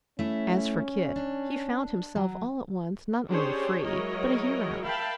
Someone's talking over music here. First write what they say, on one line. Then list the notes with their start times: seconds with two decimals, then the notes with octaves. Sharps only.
As for Kit, he found himself all at once not only free, but a hero.
0.19 A3 C#4 E4
1.16 D4
2.16 F#3
3.29 C#4 D4 G4 G#4 C5 C#5
3.85 F#3 G#3 E4 A#4 C#5 D#5
4.83 A#4 E5 F5 G5 A5 B5